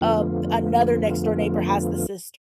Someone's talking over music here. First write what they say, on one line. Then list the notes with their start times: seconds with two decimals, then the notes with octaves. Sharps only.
um, another next door neighbor has the sister.
0.01 F2 D3 F3 A3 B3 F4